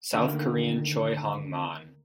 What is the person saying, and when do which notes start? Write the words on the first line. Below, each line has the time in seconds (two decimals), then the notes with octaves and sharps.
South Korean Choi Hong-man.
0.13 D2 D3 D#3 A#3